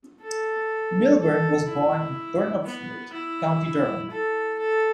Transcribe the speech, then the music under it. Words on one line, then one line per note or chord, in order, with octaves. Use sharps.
Milburn was born in Burnopfield, County Durham.
A4
A4
E4
B3
E4
A4
A4